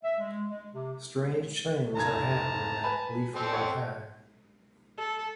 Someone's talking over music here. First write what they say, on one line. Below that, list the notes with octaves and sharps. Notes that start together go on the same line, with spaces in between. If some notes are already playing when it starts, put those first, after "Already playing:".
Strange things are happening at Leafmore High.
E5
G#3
G#3
C3
F1 C#2 A5 A#5 G#6
B4 G#5 B5
C4 A4
C#5 F#5 G5
A4